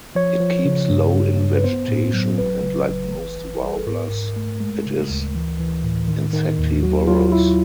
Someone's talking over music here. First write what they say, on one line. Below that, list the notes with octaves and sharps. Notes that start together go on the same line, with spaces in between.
It keeps low in vegetation, and, like most warblers, it is insectivorous.
F3 C#5
F3
C#3
G2
G2
G2
B4
B3 C5
A2
F#3
G1 B4
C#3
G1
E3
A1
G3 G#4
A4
G#2 A#4
G#2
A3
G#3
C#3
D2
E3
E3
A2
D#3
D#3
D#2
F#3 F#4
F#3 F4
F#3 E4